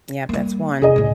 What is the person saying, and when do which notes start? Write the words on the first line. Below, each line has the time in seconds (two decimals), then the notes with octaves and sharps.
Yep, that's one.
0.29 G3 A#3
0.82 E2 C3 G#4 D#5
0.96 C#2 A2